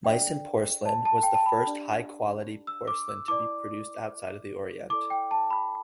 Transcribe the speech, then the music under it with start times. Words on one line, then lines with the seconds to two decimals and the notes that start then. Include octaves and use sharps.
Meissen porcelain was the first high-quality porcelain to be produced outside of the Orient.
0.04 D4 A4 D5 G5
0.86 A5
1.05 A5
1.23 G5
1.34 A5
1.46 B5
1.66 D4 G4 D5
2.67 E6
2.87 D6
3.09 E6
3.28 E4 B4 D5 D6
4.90 E4 A4 D5 D6
5.10 G5
5.31 A5
5.50 B5